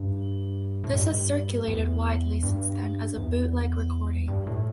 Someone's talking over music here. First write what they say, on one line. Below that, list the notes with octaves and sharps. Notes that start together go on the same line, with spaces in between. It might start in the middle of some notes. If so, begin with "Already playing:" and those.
This has circulated widely since then as a bootleg recording.
Already playing: G2
A2
G2
E2
G2
E2
G2
A2